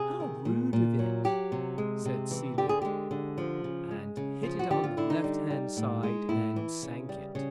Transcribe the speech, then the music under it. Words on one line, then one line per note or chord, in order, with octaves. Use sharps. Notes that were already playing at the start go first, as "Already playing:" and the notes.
"How rude of it," said Celia, and hit it on the left-hand side, and sank it.
Already playing: C3 G#4
D#3
A#2
A#2
F#3
F#3 G4
C3
G#3
C3
E3
D3 G4
G#4
G#3 G4
D3
F3
C#3
G#3
C#3
F3
F#4
D3 G4
F4
D3 E4
D#4
G3
G3
A2
G#3
A2 E4
E3
C#3
G3
C#3